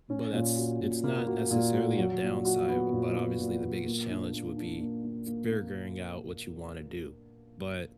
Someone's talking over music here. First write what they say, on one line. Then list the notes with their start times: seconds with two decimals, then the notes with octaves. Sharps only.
but that's it's not necessarily a downside, but, obviously, the biggest challenge would be f figuring out what you wanna do. But,
0.10 C#4
0.33 A#2
0.57 F#4
0.80 A#2
1.04 A#3
1.27 F#4
1.50 A#2
1.74 F#4
1.98 F#3
2.21 A#2
2.45 F#4
2.68 B3
2.92 A#2
3.15 B3
3.39 A#2
3.63 A#2
3.86 A#3
4.10 D4
4.33 A#3
4.57 D4
4.81 A#3
5.04 A#3
5.27 A#3
5.51 A#3